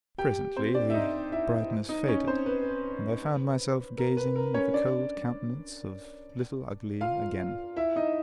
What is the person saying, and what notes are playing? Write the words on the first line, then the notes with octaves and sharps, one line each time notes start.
Presently the brightness faded, and I found myself gazing at the cold countenance of Little Ugly again.
G4 G5
C4 C5
D4 D5
E5
D#4 D#5
E4 E5
D#4 D#5
C#4 C#5
C4 C5
B4
A#4
B4
A#4
C#4 C#5
D4 D5
F4 F5
E4 E5
D#4 D#5